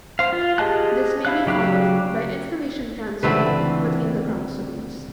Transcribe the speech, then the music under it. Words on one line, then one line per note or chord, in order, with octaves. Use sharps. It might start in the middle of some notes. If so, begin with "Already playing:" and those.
This may be followed by information transfer between the chromosomes.
C5 F5
F4
G4 G#4 D#5 A5 F#6
E4 F5 F#6
C#3 F#3 G4 F5 F#6
C#2 D3 E3 A3 C4 B4 F#5